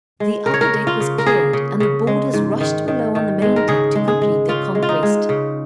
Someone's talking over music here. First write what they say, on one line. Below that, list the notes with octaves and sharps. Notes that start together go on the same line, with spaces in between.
The upper deck was cleared, and the boarders rushed below on the main deck to complete their conquest.
G#3
C#3 A#4
C#5
A#4
C#3
F4
C#3
A#4
A#3 G#4
C#3
C#3
G#3
G#2
D#3
D#3
D#3
G#3
A#4
C#3 G#4
G#3
G#4
G#3
C#3 F4
G#3
F4
D#4
G#3
C#3